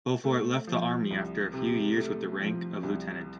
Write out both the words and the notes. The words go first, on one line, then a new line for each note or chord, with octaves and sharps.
Beaufort left the Army after a few years with the rank of lieutenant.
A3
F3
C2
C3
A3
F3
C2